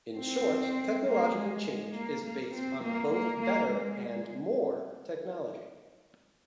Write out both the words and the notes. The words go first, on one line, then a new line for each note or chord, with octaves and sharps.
In short, technological change is based on both better and more technology.
C4
A#3
G#3
G#3
A#3
A#3
C4
A#3
A#3
A#3
G#3